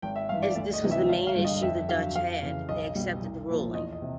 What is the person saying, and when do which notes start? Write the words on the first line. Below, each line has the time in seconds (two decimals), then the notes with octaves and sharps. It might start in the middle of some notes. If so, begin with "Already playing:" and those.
As this was the main issue the Dutch had, they accepted the ruling.
0.02 G#1 G5
0.16 E5
0.29 G2 E3 F5
0.43 D5
0.55 D2 D5
0.74 D#5
0.83 C3 E3 G3
0.91 E5
1.09 G#1 F5
1.27 F5
1.35 G2 D3 G3
1.45 D#5
1.62 F2 E5
1.89 D3 F#3 F5
2.15 F2 F5
2.42 C#3 E3
2.68 B1 D#5
2.95 B2 G3
3.22 C2
3.48 A#2 F3
3.74 E2 D#5
3.93 D#5
4.02 C3